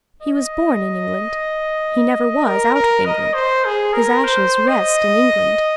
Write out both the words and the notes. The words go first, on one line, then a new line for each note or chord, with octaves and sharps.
He was born in England; he never was out of England; his ashes rest in England.
D#5
A#4
A#4
D#5
C5
G#4
A#4
C5
D#5